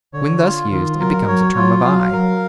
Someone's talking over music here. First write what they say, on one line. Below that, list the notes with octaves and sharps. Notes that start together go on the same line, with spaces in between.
When thus used it becomes a term of eye.
D3 C#5
F4
D#3 F4
F#3 A#4
F#3 C#5
F#3 F4
F#3 F5
F#3 A#4